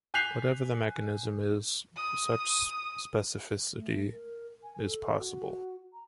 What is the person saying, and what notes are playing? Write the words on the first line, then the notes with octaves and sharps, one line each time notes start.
Whatever the mechanism is, such specificity is possible.
G#5 F#6 G6 B6 C7 F7
D#6
A3
A#4
G#5
A4
F#4
A#5